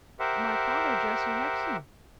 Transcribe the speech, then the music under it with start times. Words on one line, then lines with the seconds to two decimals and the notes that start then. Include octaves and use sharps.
'My father, Jesse Hexam.'
0.20 G4 A#4 C5 E5 F#5